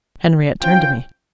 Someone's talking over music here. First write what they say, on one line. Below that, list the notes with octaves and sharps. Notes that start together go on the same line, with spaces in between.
Henriette turned to me.
C#4 F4 C5 G5